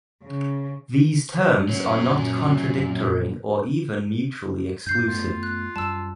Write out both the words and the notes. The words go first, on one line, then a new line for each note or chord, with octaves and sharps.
These terms are not contradictory or even mutually exclusive.
C#3
A#2 F#3 C#4
G2 G6 C7
F#2 A3 B3 F4
F#6
F#2 G3 A5 E6